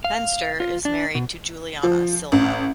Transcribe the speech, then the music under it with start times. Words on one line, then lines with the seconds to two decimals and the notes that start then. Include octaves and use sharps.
Fenster is married to Juliana Silva.
0.04 F5
0.60 F4
0.85 D4
1.15 B2
1.83 F3
2.32 A1